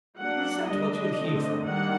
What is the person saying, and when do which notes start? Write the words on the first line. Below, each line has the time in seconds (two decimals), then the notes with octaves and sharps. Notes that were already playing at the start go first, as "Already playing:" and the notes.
Is that what you're here for?
0.18 F#3 A#3 D4 F#5
0.68 D3 G3 D4 D#5
1.17 D3 A3 C4
1.66 D#3 G3 A#3 D4 F#5